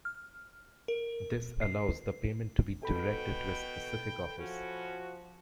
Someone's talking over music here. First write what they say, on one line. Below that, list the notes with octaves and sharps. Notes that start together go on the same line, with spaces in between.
This allows the payment to be directed to a specific office.
F6
A#4
C7
B2 A4 G5 B5
F3 C#4 F#4